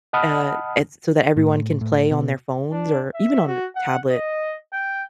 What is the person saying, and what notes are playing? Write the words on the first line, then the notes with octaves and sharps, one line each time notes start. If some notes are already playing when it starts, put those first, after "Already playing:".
uh, at so that everyone can play on their phones or even on tablet,
D#5 F#5 A5 B5 D#6 F6
A2
A2
B2
D4
E5
F#4
F#5
D#5
G5